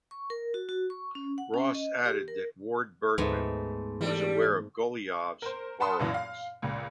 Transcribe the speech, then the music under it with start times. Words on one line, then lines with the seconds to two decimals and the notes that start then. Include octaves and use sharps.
Ross added that Ward-Bergeman was aware of Golijov's borrowings.
0.11 C#6
0.30 A#4
0.54 F#4
0.69 F#4
0.90 C#6
1.15 C#4
1.38 F#5
1.54 C#4
1.74 D#5
2.06 G4
2.28 A#4
3.18 D2 G#2 A3 B3
4.01 E3 G3 A4 D5
5.42 A#4 C5
5.80 F#5 A5 B5 C6 D#6
5.99 F#2 A#2 E3
6.14 F5
6.62 C#2 A#2